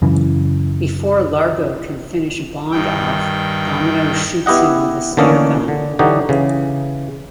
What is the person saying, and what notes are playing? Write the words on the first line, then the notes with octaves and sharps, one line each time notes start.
Before Largo can finish Bond off Domino shoots him with a spear gun.
F#2 C#3 E3
G2 D#3 G5
B3 E4 G4 D#5 F#5
D3 E3 A3 A#3 C#4 D#4
D3
D3 E3 F#3 D#4 F#4 G4
C#3 E3